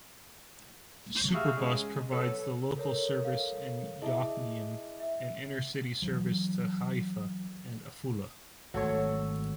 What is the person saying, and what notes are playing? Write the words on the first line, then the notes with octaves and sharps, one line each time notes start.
Superbus provides the local service in Yokneam and intercity service to Haifa and Afula.
G3 F#4 G#4 E5 F5
G#3 C#4
B2 F#3 A4 B4 C#5
A4 A#4 C#5
F5
E4 G#4 D#5 E5 A5
E5
E3 F#3
G#1 F#3 A3 A4 C#5